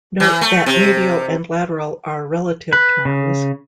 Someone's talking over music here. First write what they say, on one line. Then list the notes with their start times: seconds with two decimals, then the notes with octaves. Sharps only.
Note that medial and lateral are relative terms.
0.20 E3
0.41 A3
0.66 C3
2.73 B4
3.05 C#3